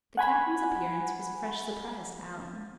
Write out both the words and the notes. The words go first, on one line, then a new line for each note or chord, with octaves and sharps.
The Captain's appearance was a fresh surprise to Alan.
F#5 G#5 B5